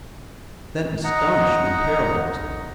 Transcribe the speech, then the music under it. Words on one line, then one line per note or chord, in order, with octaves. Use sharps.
Then astonishment paralysed me.
D#4 D#5 F#5 A#5